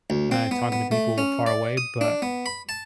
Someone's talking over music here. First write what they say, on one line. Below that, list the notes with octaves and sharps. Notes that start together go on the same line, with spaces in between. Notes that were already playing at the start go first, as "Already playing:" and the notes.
eh, talking to people far away, but,
D2
C4
B3
B3
A3
C#4
D5
D#6
D4
B3
B5
A5